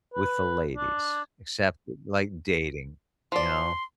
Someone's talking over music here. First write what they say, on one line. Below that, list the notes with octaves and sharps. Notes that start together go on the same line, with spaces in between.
with the ladies. Except like, dating, you know?
B4
D4
F3 D5 C6